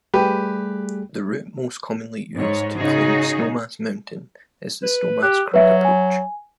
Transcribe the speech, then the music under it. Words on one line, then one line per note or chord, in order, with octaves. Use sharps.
The route most commonly used to climb Snowmass Mountain is the Snowmass Creek approach.
G3 A3 G4 G#4 B4
G#2 C#5
C#3 D#4 F#4 G#4
B4
G4 F#6
F#3 B4 E5
G#5